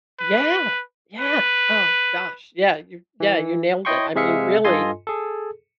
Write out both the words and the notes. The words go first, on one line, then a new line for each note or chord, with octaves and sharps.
Yeah. Yeah. Oh gosh, yeah, you yeah, you nailed it. I mean, really,
B4
B4
E3
E4 C#5 D#5 G5 C6 C#6
C3 G#3 G#4 E5 F5 C#7
G2 F4 A4 D#5 G#5 C6
G#4 A4